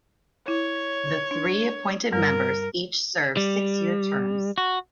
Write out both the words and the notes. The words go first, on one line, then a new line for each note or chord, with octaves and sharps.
The three appointed members each serve six-year terms.
E4 C#5
D4
G2 G3 A#4
G3
F#4